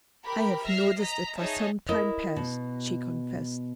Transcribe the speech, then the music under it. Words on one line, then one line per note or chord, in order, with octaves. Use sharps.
"I have noticed it for some time past," she confessed.
G4 A#4 B5
E5 F6 A#6 C7
D#5 A#5 B6
D#4 G#4 C#5 D#5 E5 A5
E4 A4 A#4 D#5
B2